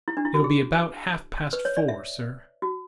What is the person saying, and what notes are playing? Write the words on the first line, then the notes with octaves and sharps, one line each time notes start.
"It'll be about half-past four, sir."
E4
D4
E4
F#4
G#4
B4
C#5
D5
E5
F#4